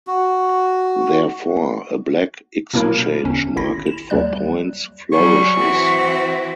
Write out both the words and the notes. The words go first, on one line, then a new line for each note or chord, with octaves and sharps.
Therefore, a black exchange market for points flourishes.
F#4
B2 F#3 A#3 D4 E4 A#4
G1 E2 C#4
G#1 E4 A#6
E7
D#2 F#3 G3 D5 F#6
F#3 G3 G#4 C#6
E3 C4 F#4